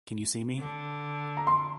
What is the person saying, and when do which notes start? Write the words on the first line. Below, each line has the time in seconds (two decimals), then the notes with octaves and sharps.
Can you see me?
0.59 D3
1.37 A#5
1.47 C6